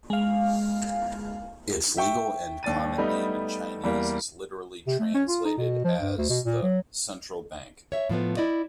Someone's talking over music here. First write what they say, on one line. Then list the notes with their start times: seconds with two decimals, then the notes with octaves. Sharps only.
Its legal and common name in Chinese is literally translated as the "Central Bank".
0.10 G#3 F5
1.97 E5 G5 C#6
2.63 D#2 D4 A6 D#7
2.98 G3 A3 B3 D#4
3.83 E2 G3 A#3
4.87 C3
4.99 A3
5.14 C#4
5.28 F4
5.45 D#4
5.57 B2
5.84 F3
6.00 G2
6.17 D2
6.29 B2
6.45 A#2
6.62 F#3
7.92 C#5 E5
8.09 A2 F3 A3 B3
8.37 E4 D5 D#5